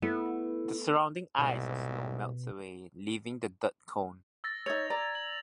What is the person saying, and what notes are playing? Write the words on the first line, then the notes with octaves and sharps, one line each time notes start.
The surrounding ice or snow melts away, leaving the dirt cone.
A3 B3 E4
C2 G#2 B2
E6 A6 A#6
D#4 C#5 G#6 F7
D5 A#5
F#7